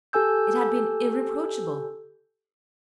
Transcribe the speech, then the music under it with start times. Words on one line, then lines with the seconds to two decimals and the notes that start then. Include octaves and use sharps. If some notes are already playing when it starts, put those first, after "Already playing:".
It had been irreproachable.
0.13 G4 A4 G#5 E6 G6